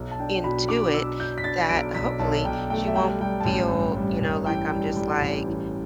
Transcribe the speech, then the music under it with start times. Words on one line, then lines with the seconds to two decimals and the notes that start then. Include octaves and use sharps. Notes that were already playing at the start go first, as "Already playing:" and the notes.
into it that, hopefully, she won't feel, you know, like I'm just like,
Already playing: B1
0.11 A5
0.19 D4 G5
0.44 B2 B5
0.69 D4 D6
0.94 B2 E6
1.19 D4 G6
1.38 B6
1.44 D4 A6
1.69 B1 D7
1.94 B1 B6
2.19 B1 A5
2.45 B1 G5
2.70 A3 G5
2.87 E5
2.96 G3 G5
3.21 G3 G5
3.41 A5
3.45 A1 G5
3.71 G2
3.96 G3
4.21 A1
4.46 E3 G5
4.72 G3
4.97 G3
5.21 A1
5.47 E3